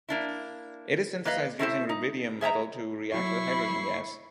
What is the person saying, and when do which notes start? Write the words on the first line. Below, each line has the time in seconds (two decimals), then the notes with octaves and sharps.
It is synthesized using rubidium metal to react with hydrogen gas.
0.09 A#3 D4 E4
1.25 A#3 B4 D#5 F5
1.59 A3 C4 E4 C5
1.89 D#4
2.41 G#4 E5 A5 A#5
3.12 F#3 E4 C#5 C#6 C7